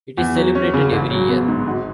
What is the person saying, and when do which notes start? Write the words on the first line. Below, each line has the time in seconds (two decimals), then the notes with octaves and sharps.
It is celebrated every year.
0.18 E2
0.36 F#3
0.55 C#4
0.74 C#3
0.92 A1
1.11 F#3
1.29 B3
1.48 G#2
1.67 G#1